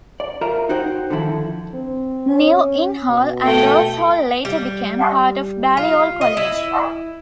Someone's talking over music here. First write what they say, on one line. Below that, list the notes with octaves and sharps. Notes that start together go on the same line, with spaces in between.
New Inn Hall and Rose Hall later became part of Balliol College.
D5
F4 A#4 E5 A#5
D#4 F#4 C5 G5
D3 D#3 F3 E4
C4
C#4
B2
A3 G5
G3
F4
D#5
E4